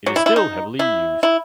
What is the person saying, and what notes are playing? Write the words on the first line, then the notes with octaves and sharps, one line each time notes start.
It is still heavily used.
F#3
E4
E4
D#4
E4
E4